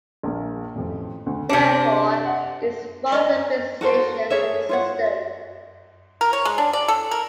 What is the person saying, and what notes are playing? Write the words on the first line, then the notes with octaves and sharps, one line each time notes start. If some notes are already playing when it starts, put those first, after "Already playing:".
Therefore, it is one of the busiest stations in the system.
A#1 A#3
A1 F2
D2
C3 C4 D4 G4 C5
F#5
D5 D#5 A#5
F#4 A4 A#4 C5
G#4 A#4 C#5 E5
F4 C#5 F#5
A#4
C#5
G#3
D4
D5
A4
A#4